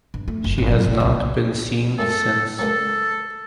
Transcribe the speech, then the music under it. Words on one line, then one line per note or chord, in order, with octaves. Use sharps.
She has not been seen since.
G2
A3
F#1
G#1
F#3
B1
C2
F#2 A2 G#3 A4
C#2 A#2 F#3 A4